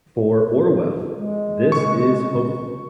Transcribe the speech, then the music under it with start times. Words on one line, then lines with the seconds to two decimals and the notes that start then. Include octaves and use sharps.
For Orwell, this is hopeful.
1.15 G#3
1.72 C#3 C#6